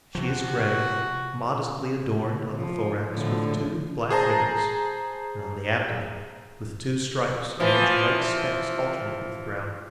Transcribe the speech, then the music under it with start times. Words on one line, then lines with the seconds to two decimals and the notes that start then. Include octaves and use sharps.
She is grey, modestly adorned on the thorax with two black ribbons and on the abdomen with two stripes in which white specks alternate with brown.
0.15 C3 F3 F#4
2.56 F3
3.15 A2 D3 F3
4.10 G#4 C5 A5 A#5
7.60 E3 F3